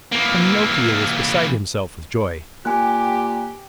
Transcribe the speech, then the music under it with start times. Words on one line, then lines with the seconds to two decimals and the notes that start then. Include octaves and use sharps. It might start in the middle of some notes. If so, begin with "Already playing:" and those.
Pinocchio was beside himself with joy.
0.12 E3 A#3
2.65 A#2 G4 G#5 F#6